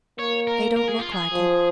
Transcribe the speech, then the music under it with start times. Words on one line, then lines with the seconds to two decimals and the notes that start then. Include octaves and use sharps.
They don't look like it.
0.18 A#3 C#5
0.47 A#4
0.76 A#4
0.88 G#4
1.00 F4
1.12 G#4
1.33 F3